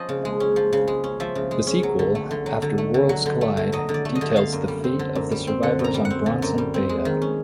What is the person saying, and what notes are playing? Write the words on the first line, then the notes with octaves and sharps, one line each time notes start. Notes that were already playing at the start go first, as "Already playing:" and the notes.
The sequel, "After Worlds Collide", details the fate of the survivors on Bronson Beta.
Already playing: F3 C#4 D#5
C#3
G#3
C#4
F3
C#3
G#3
C#4
F3 E5
C#3
G#3
C#4
F#3
D3
A3
D3
F#3
D3
A3
D3
F#3
D3
A3
D3
F#3 D#5
D3
D5
A3
D#5
D3
D3 F5
F#2
G3
C4
D3
F#2
G3
C4
D3 F#5
F#2
A#5
G3
F#5
C4
D3
F#2
G3
C4
G#3
D#3
C#4